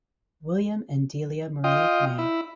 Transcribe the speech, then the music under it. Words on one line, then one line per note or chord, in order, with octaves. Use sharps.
William and Delia Marie May.
F4 D#5 G5
E4